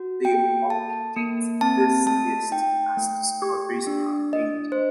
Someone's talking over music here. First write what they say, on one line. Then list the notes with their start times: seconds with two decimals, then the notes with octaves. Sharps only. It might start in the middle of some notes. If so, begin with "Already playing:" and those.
They update this list as discoveries are made.
Already playing: F#4
0.25 A#3 G5
0.70 A4 A5
1.16 A#3
1.61 C4 A5
2.06 A3 A5
2.51 D#4 G5
2.97 A3
3.42 G4
3.87 D4
4.32 D4 D#5
4.72 C5